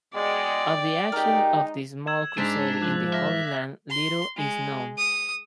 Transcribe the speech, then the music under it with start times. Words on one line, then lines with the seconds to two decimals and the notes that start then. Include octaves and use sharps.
Of the actions of this small crusade in the Holy Land little is known.
0.15 B2 G#3 D5 G5
1.12 G#3 D#4 G4 A#4
2.07 E6 G#6 E7
2.38 G#2 D4 A6 B6 F7
2.82 F3 D6 F#6 F#7
3.13 E5 F6 A#6
3.90 C6
4.37 G#3
4.98 D#6